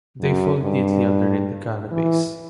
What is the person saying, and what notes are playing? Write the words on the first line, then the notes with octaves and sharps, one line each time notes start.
They fold neatly underneath the carapace.
F#2
G2
E3